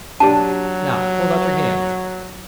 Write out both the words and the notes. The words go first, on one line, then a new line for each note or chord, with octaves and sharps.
"Now hold out your hands."
F#3 D4 G4 D5 A5